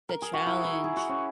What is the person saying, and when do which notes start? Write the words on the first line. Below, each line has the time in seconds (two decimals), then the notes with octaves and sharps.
The challenge.
0.09 A#4
0.22 G#4
0.33 F#4
0.47 E4
0.65 E4
0.84 G#4
0.96 F#4
1.09 C#4